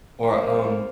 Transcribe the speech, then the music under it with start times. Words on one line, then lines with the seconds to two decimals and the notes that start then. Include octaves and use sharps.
Or, um
0.23 A#3
0.33 C4
0.43 A#3
0.53 G3
0.63 A#3